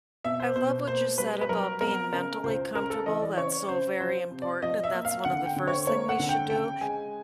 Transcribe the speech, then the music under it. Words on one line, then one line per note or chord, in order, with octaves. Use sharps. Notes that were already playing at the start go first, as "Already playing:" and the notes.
I love what you said about being mentally comfortable, that's so very important, and that's one of the first thing we should do,
B2 E5
C5
B2 C5
A#3 C5
G3 B4
B4
F#3 A#4
B3 A#4
C#3 A#4
C#2 C5
C#3 A#4
A4
E3 D#5
D5
C#3 C#5
C#3 C5
F3 C5
C3
D5
F3 D#5
E5
A#3
F5
D3 F#5
G5
D3
C#5
A#3 C#5
F#5
D3
G5
C#3 G5
G#3 G#5